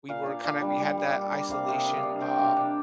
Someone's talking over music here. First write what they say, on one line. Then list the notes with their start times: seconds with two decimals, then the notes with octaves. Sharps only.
we were kinda we had that isolation, um,
0.09 A#2 F5
0.26 D4
0.44 D4 F5
0.61 G3
0.80 G3
0.98 G3
1.14 D4
1.32 A#3
1.50 C3 F5
1.68 C3
1.74 D#5
1.85 D4
1.97 F5
2.03 D4
2.20 C3 G5
2.39 D4
2.44 F5
2.56 D4